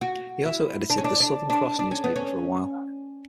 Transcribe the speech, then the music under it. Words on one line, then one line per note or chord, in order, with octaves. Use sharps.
He also edited the "Southern Cross" newspaper for a while.
F#4
E4
D4
C#4
D4
D4
D4
D4
C#4
B3
C#4